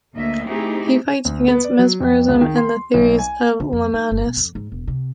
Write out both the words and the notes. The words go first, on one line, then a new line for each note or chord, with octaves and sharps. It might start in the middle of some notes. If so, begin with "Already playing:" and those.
He fights against mesmerism and the theories of Lamennais.
D2 A#3 D#5 E5
A3 C4 D#4 E4 G4 G#4
D2
B3
D5
F#3
F2
C#2
D#3
C6
B1
G#5
D3
F2
D#4
G1
B2
F2
G#2
E1
C3